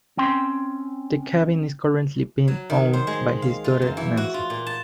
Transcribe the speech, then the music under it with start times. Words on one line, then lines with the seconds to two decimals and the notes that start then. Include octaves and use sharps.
The cabin is currently being owned by his daughter Nancy.
0.17 C4 C#4 G5 C6
2.48 F#3
2.70 D#3
2.93 C5
3.07 G#3
3.42 F5
3.64 F4
3.82 F#2
3.97 E3
4.17 F#4
4.34 F4
4.50 A#2
4.67 A5